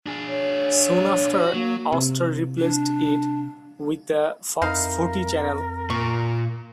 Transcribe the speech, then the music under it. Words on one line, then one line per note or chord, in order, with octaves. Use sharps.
Soon after Austar replaced it with the Fox Footy Channel.
D4 G#4
C#5
F#4
F#3 A#3
C3
D4
F2 D#4 E4 A#4 F5
A#2 C#6